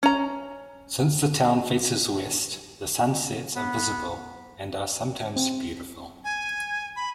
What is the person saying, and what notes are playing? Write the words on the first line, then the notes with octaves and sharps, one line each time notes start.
Since the town faces west, the sunsets are visible and are sometimes beautiful.
C#4 A#5
B3
C4
G#5
B5